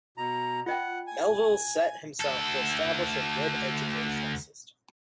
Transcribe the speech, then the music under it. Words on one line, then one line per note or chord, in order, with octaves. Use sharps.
Melville set himself to establish a good educational system.
B2 A#5
F4 D#5 F#5 G5
G#5
D2 A4